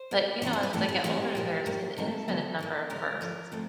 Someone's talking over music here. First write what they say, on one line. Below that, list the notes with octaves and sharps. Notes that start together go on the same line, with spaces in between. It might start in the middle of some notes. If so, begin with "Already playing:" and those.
But, you know, as they get older, there's an infinite number of firsts.
Already playing: C5
B2 F#3 A#3
C3 E3 G3 C4 C#5
C5
B4
A2 E3 A3 C4 A4
G#4
A2 E3 G3 C4 G4
A#2 F3 A#3
D#3 G3 A#3
C3 D#3 F#3 A4
D3 F#3 B3
D3 F3 A#3
C#3 E3 G#3 A#4
D3 F3 A3
F3 A3 C4